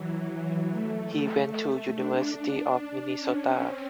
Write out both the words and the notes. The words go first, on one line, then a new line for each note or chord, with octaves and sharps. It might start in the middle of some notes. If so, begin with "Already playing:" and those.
He went to University of Minnesota.
Already playing: E3 F#3
A3
D4
C#4
C4